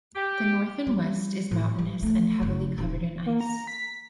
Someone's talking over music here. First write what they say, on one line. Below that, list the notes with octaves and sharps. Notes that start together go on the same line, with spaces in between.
The north and west is mountainous and heavily covered in ice.
G4
G3
A2
G3
A3 F4
F#1 F#3
D#1
A#3
A#5
B6